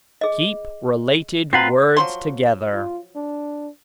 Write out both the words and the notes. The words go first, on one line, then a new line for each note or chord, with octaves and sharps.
Keep related words together.
G#4 D#5
C4 F4 F#4 B4 F#5 A#5
F3 F#3 C6
F4
D4